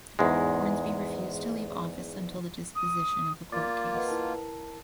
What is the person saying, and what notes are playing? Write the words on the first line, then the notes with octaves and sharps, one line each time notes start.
Hornsby refused to leave office until the disposition of the court case.
E2 G#2 G#3
D#6
A#3 F4 D5 D6 A6
B4 D#5 F#5
E4 A#4 A5